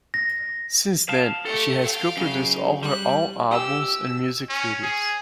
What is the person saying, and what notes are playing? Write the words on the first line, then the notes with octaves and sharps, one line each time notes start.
Since then, she has co-produced all her own albums and music videos.
A#6
F5 A5
A3 G4 A4
F5 G5
F#2 C#3
G3 F#6
G4 E6
C#4
G#4